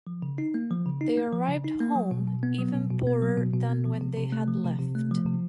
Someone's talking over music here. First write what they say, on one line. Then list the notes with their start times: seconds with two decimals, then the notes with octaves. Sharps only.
They arrived home even poorer than when they had left.
0.07 F3
0.22 C#3
0.38 D#4
0.54 A#3
0.70 F3
0.86 C#3
1.01 D#4
1.17 A#3
1.33 F3
1.48 C#3
1.64 D#4
1.80 A#3
1.95 F#3
2.11 B2
2.27 B2
2.43 B3
2.58 F#3
2.74 B2
2.91 B2
3.07 B3
3.22 F#3
3.38 B2
3.53 B2
3.70 B3
3.85 F3
4.01 C3
4.17 C3
4.32 A3
4.48 F3
4.64 C3
4.79 C3
4.95 A3
5.11 F3
5.26 C3